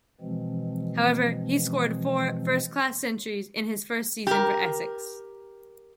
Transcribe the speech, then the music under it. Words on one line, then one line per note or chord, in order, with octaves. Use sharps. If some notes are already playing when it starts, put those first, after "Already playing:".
However, he scored four first-class centuries in his first season for Essex.
B2 E3 F3 G#3 C4
G4 A#4